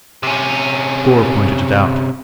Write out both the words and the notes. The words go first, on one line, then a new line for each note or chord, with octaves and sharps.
Gore pointed it out.
C3 C#4